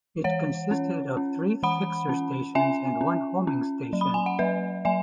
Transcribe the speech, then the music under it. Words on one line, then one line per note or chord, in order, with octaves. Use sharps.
It consisted of three Fixer Stations and one Homing Station.
E3 C#5 F#5
C#4
C#4
E3 F#5 B5
C#4
C#4 E5 G#5
C#4
C#4
F#3
B5
G#5
F#5
F#3 B4 E5
F#3 E5 G#5